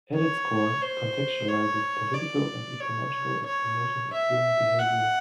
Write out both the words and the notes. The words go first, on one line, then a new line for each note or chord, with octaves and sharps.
At its core, it contextualizes political and ecological explanations of human behavior.
C#5
C5
C#5
D5
C#5
C#5
E5
F#5